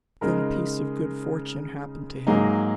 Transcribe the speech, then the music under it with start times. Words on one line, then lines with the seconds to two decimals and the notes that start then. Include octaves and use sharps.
Then a piece of good fortune happened to him.
0.21 C#3 G#3 D#4 A#4
2.27 G#2 F#3 A#3 D#4 G#4